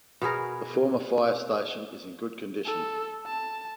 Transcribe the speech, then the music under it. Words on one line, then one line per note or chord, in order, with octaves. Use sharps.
The former fire station is in good condition.
B2 B3 G#4 A#4
A4
A5